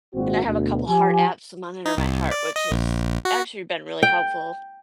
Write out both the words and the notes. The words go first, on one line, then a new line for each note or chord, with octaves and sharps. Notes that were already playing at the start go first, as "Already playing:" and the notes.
And I have a couple heart apps to monitor my heart, which has actually been really helpful.
G#1 A#2 C4 F#4
D2 B2
F3 G4 G#5
D#4
C2
D5
D#5
A#1
F#4
G5